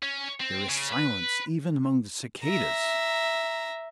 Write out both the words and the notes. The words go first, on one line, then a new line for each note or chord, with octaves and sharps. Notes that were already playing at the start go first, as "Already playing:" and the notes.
There is silence even among the cicadas.
C#4
C4
C#3
B4
E5 A#5